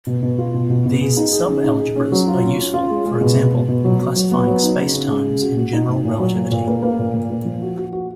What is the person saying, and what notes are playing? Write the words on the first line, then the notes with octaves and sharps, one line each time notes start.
These subalgebras are useful, for example, in classifying spacetimes in general relativity.
B2
B2
F4
B2
B2
B2
G#4
D#4
G#4
C#3
D#4
G#4
C#4
F#3
F4
C#4
C#4
F4
G#3
G#3
B2
B2
B2
B2
F#3
F#3
F#3
B3
F#3
D#4
C#3
C#3
G#3
C#3
F#4
F#4
D#4
A#2
A#2
F#3
A#2
A#2
A#3
A#3
A#2
A#2
A#3
F3
F#4
F#4
F#4